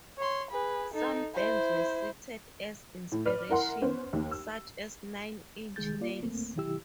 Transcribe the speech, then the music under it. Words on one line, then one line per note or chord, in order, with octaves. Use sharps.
Some bands were cited as inspiration, such as Nine Inch Nails.
C#5 C6
G#4 B4
D#4 A4
E4 C5
A2
B4 D5 F6
E4 A#4 F#5 C6
B3 C#4 C5
D#2
E6
C2 D#3 G#3 G#4 G6 A6
A#3 F4 D5
D2 A3 A#3 C4
B2 D#3 F#3 E4 G4 E6